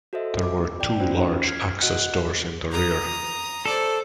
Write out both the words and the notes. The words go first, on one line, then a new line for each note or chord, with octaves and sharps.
There were two large access doors in the rear.
F#4 A4 C5 D#5 E5
D6
D5 G5
C#4 D#4 F4 F#4 C5
F6 G#6
F#4 D#5 F#5 F#6
A#5 D#6
A4 C5 D5